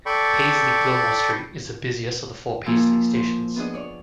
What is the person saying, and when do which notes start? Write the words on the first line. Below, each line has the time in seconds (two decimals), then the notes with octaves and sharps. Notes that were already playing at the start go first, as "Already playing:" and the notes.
Paisley Gilmour Street is the busiest of the four Paisley stations.
0.06 A4 D5 G5 B5 C#6
2.66 C#3 F3 A#3 G#5 C6 E6
3.13 C5
3.56 B3 D4 G#4 D#5
3.73 C#5 D5